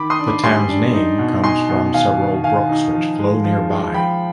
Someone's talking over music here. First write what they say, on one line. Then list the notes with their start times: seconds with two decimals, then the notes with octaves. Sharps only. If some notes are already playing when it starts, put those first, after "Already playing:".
The town's name comes from the several brooks which flow nearby.
Already playing: D#3 B5 D6
0.10 C6 D#6
0.19 D4
0.27 B5 D6
0.43 G3 G#5 C6
0.69 D4
0.94 D#4
1.18 B2
1.43 D#4 G#5 C6
1.69 B2
1.94 D#3 F5 G#5
2.20 D#3
2.44 D#3 F5 G#5
2.69 D#4
2.94 F3
3.19 G#3
3.44 F3
3.69 G#3
3.94 F3 G5 B5